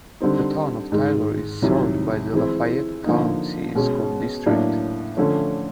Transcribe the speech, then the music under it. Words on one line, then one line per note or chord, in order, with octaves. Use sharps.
The Town of Taylor is served by the Lafayette County School District.
D3 G3 C4 D#4
G#2 D#3 G#3
C2 C3 D#3 F#3
E3 G#3 C4 E4
D3 F3 A#3 D#4
B2 G#3 C#4
A2 F#3 A#3 D4
D3 F3 A3 C#4